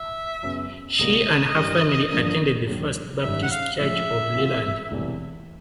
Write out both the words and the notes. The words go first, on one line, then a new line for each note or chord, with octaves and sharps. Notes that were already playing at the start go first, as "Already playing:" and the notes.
She and her family attended the First Baptist Church of Leland.
Already playing: E5
F#2 C#3 F#3 B3
C#2 B2 G3 A#3 D#5
G2 E3 G3
G2 D3 F3 A#3 D4
D#2 D3 F#3
G#1 F#2 D#3 G3 E5
F#5
F5
A2 F3 G#3 C#4 E5
C3 E3 G#3 C4 F4
E1 D2 C3 E3 G3